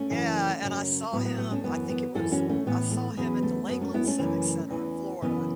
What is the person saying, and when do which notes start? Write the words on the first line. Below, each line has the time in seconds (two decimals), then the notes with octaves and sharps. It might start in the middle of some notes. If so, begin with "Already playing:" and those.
Yeah, and I saw him, I think it was, I saw him at the Lakeland Civic Center in Florida.
Already playing: A3 C#4
0.10 F#2 C#3 E3
0.61 F#2 C#3 F#3
1.12 A2 F#3 B3
1.26 B3
1.38 B3
1.51 A3 C#4
1.64 F#2 E3 B3
1.89 B3
2.15 F#2 E3 E4 A4
2.32 C#4 F#4
2.49 A3 C#4
2.66 A2 E3 B3
2.91 A3
3.17 E2 C#3 F#3 B3
3.42 A3
3.69 F#2 F#3 B3
3.81 A3 C#4
3.94 B3 E4
4.07 A3 C#4
4.19 F#2 C#3 E3
4.71 E2 E3
5.22 F#2 C#3 E3 B3